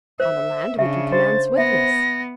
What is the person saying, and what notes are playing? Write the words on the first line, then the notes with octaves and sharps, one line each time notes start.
On the land we can command swiftness.
C5 E5
C#3 D4 E5
C5 A6
B3 E5 A#6